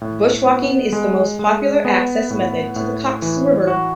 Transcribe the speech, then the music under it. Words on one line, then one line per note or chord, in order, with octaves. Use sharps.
Bushwalking is the most popular access method to the Coxs River.
A2
B3
G#3
G#3
B3
A2
A2
E3
F#4